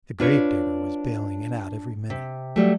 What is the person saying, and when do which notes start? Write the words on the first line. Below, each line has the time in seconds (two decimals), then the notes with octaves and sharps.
The gravedigger was baling it out every minute.
0.20 D4 F4 B4 C#5
2.10 C3
2.56 F#3 G3 A3